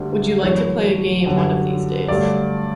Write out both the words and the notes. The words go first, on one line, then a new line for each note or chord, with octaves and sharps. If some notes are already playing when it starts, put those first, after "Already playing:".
Would you like to play a game one of these days?
Already playing: D2 D3 G3
F#2 E3 A3 C#5
F#2 D3 G3
G2 D3 A3 D5